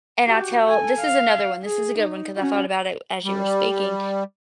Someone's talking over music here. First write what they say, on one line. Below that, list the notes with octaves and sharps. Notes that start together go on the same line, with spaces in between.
and I tell this is another one, this is a good one 'cause I thought about it as you were speaking,
F#4 G4
A4 G#5
F5
G#4
D#4
C#4 F#4
G3